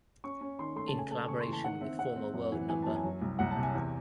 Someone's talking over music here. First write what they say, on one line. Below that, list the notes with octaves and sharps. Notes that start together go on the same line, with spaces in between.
In collaboration with former world no.
C#4 C#6
C#4
D#3 C6
A3 C6
A5
C#3
G#5
A3 A5
C#3 C#6
C6
E3
A5
D#3 F#5
C4 E5
C4 F#5
C4
F#2
E3
E3 G#5
F#2 A5
G#5
F#3
C2
C2 F#5
A5
C3
G#5
E2